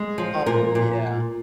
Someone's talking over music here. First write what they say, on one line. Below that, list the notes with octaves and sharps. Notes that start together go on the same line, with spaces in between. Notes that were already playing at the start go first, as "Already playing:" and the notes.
Oh yeah.
Already playing: G#3
F3
A#2 A#4
A#2